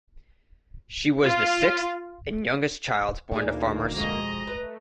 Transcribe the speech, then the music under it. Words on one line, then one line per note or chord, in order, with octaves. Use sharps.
She was the sixth and youngest child born to farmers.
F4
D2 A#2 E3 A3 A#3 D4 D#4 G#4
F2 B2 G#3 D#5 A#5
A3 B4